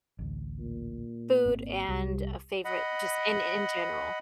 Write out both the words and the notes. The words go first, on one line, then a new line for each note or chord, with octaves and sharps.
food and a favorite just in in general?
A1 D2
A#2
G#1 A#3 C4
C2 G3
D#5 F#5 B5